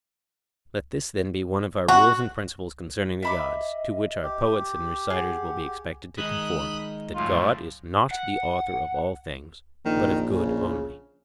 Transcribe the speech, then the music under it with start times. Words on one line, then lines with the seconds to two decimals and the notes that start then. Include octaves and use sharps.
Let this then be one of our rules and principles concerning the gods, to which our poets and reciters will be expected to conform,--that God is not the author of all things, but of good only.
1.88 F#4
3.23 D#5 E5 B5 D6
4.23 G4
5.10 G#4 F#5
6.17 D#3 G#3 D#4 B5 D#6 F#6
7.16 F#2 A2 F4
8.11 F#5
9.85 A#1 D#3
10.31 C#3